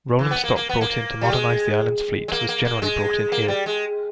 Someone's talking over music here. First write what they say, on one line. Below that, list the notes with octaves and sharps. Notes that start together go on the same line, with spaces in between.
Rolling stock brought in to modernise the island's fleet was generally brought in here.
E3
B3
A#3
A#3
B3
A#3
G3
G#3
G#3
A#3
A#3
A#3
G#3
A#3
G3
G#3